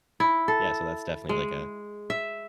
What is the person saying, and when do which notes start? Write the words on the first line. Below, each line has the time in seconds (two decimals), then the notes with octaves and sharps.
Yeah, so that's definitely like a
0.20 E4
0.48 A4
1.29 G#3
2.10 E5